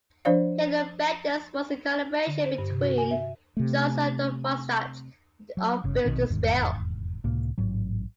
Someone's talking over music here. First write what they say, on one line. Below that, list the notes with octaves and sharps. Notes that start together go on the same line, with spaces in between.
Halo Benders was a collaboration between Johnson and Doug Martsch of Built To Spill.
F3 D4 C5 D5 F5
D3
C5
G2
C3
F#4
G#5
E5
C3 A3
F#3
G1 C#3
A#1 B2 D#3 C4
F1 E2 G#2 D#3
C#2 A2 C3 A#3
A1 G#2 F#3